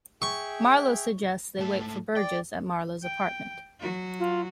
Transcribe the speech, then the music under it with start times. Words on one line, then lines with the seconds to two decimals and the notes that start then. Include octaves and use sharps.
Marlow suggests they wait for Burgess at Marlow's apartment.
0.22 G#4 E5 G5 C#6
1.59 G#2 A3 A5
2.16 D5 G5
3.03 G5
3.80 F#3 F#4
4.19 F4